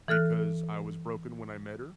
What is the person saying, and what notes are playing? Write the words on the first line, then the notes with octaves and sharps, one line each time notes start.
because I was broken when I met her,
E3 A4 F6 F#6